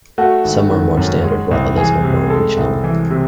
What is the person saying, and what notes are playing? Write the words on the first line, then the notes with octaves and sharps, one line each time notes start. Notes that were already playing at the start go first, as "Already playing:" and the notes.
Some are more standard, while others are more regional.
A3 F#4
G#1
D#3
F#2
G#3
C2
E3 G#4
C3
G#3 A4
C2
E3
C3